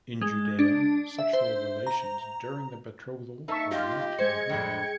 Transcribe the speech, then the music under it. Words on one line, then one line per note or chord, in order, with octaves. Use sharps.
In Judea sexual relations during the betrothal were not unheard of.
G#3
D4
E5
C5
A#5
A#3 D#4 E5 A5 C#6
F4 G4 D#5
G#3 C5 G#6 C#7
F2 A2 D4 G5